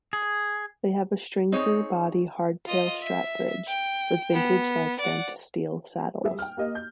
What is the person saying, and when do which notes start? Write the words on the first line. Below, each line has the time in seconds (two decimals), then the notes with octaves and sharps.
They have a string-through-body hardtail 'Strat' bridge, with vintage-like bent-steel saddles.
0.13 G#4
1.52 C4 D#4 G#4 C#5
2.66 F4 D#5
3.02 E5
3.67 G5
4.33 B3
5.00 D5 F#5
6.24 G3 G#4 E5
6.39 G5 F6
6.57 A#3 G4 D#5
6.75 G6